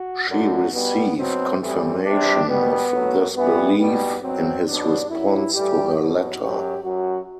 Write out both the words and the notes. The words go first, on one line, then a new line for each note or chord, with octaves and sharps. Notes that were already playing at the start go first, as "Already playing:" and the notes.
She received confirmation of this belief in his response to her letter.
Already playing: F#4
F#2 D3 F#3 F#4
B2 G3 B3
B2 F#3 C4
A2 E3 G3 C4
E2 C3 G3 D4
B2 G3 B3
A2 F#3
G2 E3 G3 B3
B2 G3 B3
B2 F#3 C4
B2 F#3 D4
F#2 F#3 E4
A2 E3 G3 G4
B2 F#3 F#4
F#2 F#3 G4
F#2 F#3 F#4